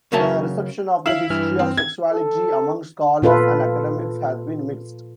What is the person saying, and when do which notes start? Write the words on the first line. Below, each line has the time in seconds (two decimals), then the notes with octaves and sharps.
The reception of "The History of Sexuality" among scholars and academics has been mixed.
0.12 C#3 F#3 C#4 A#4 E5 A5
1.06 E4 F5 F#7
1.30 G2 E3 F6
1.59 C4
1.77 G#6
2.12 A4
3.22 A#2 F4 A4 B4